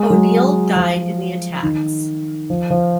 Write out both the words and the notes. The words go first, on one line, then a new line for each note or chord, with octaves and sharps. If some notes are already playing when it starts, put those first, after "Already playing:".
O'Neill died in the attacks.
Already playing: G#3
F#3
F3
D#3
F3
F3